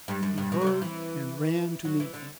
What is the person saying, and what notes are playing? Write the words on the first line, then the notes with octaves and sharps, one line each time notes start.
He heard, and ran to meet them.
G2
F#2
G2
B2
D3
C3
E3
F#3
E3
D3